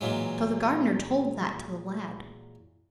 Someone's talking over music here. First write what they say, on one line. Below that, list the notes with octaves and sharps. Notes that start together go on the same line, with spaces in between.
So the gardener told that to the lad.
A#2 E3 F#3 G#3